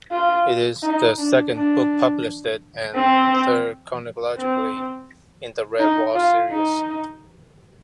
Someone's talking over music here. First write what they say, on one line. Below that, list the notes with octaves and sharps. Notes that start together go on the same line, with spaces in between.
It is the second book published and third chronologically in the "Redwall" series.
F4
D#4
D4
D4
C4
C4
D#4
F4
D#4